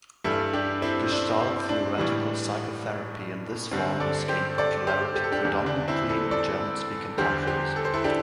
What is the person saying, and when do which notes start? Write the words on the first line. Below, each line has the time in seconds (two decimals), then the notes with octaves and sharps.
Gestalt Theoretical Psychotherapy in this form has gained popularity predominately in German speaking countries.
0.24 G2 E3 G3 E4 A4
0.53 D4 G4
0.82 C4 E4
1.11 D4
1.40 C4
1.69 D4
1.98 A2 E3 G3
3.71 G2 D3 G3 C4
4.00 A4 D5
4.29 G4 C5
4.58 A4 D5
4.87 G4 C5
5.16 G4
5.24 A4
5.32 D4 G4
5.45 E2 D3 G3
5.66 D4
5.88 C4 E4
6.09 E4 A4
6.31 A4 D5
7.17 E2 D3 G3 G4 C5
7.47 G4 C5
7.76 A4
7.85 C5
7.94 E4 A4
8.04 D4 G4